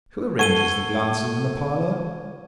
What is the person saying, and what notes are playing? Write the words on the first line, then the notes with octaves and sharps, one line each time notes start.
Who arranges the glasses in the parlor?
A4 F#5 C#6 G#6 D#7 G7